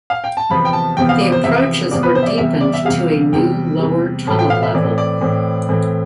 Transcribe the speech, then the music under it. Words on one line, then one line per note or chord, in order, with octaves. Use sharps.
The approaches were deepened to a new lower tunnel level.
F5
G5
A5
E2 C3 F3 B3 B5
G5
A5
E2 C3 F3 B3 G5
F5
D5
C5
E2 C3 F3 B3 E5
E2 C3 F3 B3 D5
B4
C5
E5
D5
E2 C3 G3 E5
D5
E5
E2 C3 G3 F5
E2 C3 G3 G5
E2 C3 G3
A2 E3 A3 C4 A5
G5
F5
E5
A2 E3 A3 C4 D5
D5
A2 E3 A3 C4
A2 E3 A3 C4